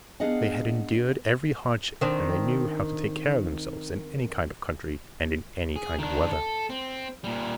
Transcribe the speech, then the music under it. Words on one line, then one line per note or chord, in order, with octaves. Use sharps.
They had endured every hardship and they knew how to take care of themselves in any kind of country and in any kind of weather.
B3 D4 G#4 D#5 F5 F#5
D#3 C4 D4
G#4
D#3 D4
A4
C4
A#2 G3